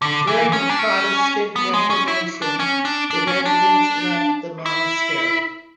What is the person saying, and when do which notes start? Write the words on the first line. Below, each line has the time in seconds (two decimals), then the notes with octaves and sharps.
During the Protestant Reformation the residents left the monastery.
0.02 D3
0.27 E3
0.53 C#4
0.69 D4
0.79 C#4
1.56 B3
1.74 G#3
1.90 C#4
2.08 E4
2.42 D4
2.59 C#4
2.85 D4
3.11 D4
3.27 C#4
3.46 D4
4.66 E4